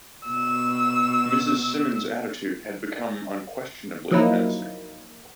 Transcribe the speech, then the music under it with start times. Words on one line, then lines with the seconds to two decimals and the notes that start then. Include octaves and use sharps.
Mrs. Simmons's attitude had become unquestionably menacing.
0.26 B2 E6
4.11 F3 F#3 A#3 D#4 E4